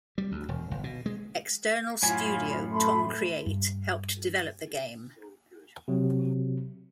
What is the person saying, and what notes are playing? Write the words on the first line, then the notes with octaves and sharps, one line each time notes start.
External studio Tom Create helped develop the game.
G3
D2
E1
G1
B2
G#3
F#2 A2 E4 F4 G#5 B5
A3 B5 C6
G2
C3 F#3